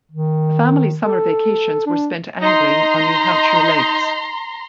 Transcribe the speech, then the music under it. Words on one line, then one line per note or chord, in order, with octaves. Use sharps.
The family summer vacations were spent angling on New Hampshire lakes.
D#3
A4
D4
D#4 A#5 C6